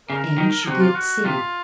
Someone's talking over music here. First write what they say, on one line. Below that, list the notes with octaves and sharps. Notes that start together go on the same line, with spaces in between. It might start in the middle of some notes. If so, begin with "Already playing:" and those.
And she did see.
C#3 A#4
D#3
C3 F#4
F4
F#4
C3 F4